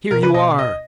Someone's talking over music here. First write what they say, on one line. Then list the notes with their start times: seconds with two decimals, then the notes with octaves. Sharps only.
"Here you are!"
0.11 B2 A#4
0.22 C#3 B4
0.33 B2 D#5
0.59 D#5